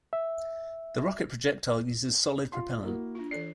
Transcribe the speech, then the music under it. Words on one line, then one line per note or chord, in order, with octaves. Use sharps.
The rocket projectile uses solid propellant.
E5
F4 F5 C6
A#3 E4 F#4 A#4
D4 F4
E3 A4 D5 C7